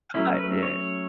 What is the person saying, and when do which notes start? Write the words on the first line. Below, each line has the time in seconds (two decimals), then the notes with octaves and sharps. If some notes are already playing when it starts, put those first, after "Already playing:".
I yeah.
0.14 F#3 A3 C#4 E4
0.38 B4
0.63 C#5